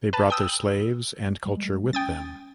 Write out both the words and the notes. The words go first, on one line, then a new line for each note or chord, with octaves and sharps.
They brought their slaves and culture with them.
B4 A5
G5 D#6 E6
G3 G#3
C#4 G5 D#6 A6